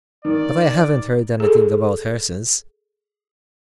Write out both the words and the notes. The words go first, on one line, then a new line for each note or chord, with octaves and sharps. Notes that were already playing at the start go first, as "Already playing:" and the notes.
But I haven't heard anything about her since.
D#3 D5
G#4 A4